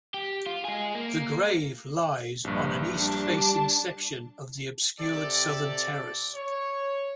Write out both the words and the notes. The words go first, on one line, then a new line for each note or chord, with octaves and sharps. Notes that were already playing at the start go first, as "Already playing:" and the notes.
The grave lies on an east-facing section of the obscured southern terrace.
G4
F4
G#3 G#4
A#3
A#1 G2
G3 D4 A5
C3 G4 A4 D5
C#5